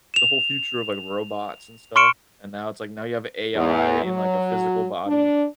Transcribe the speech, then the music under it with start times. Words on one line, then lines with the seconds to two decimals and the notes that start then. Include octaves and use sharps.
the whole future of, like, robots and stuff and now it's, like, now you have AI in, like, a physical body.
0.14 E7 F7
1.96 C6 C#6 F6 C#7 D7 E7
3.55 E2
4.04 F#3
5.06 D4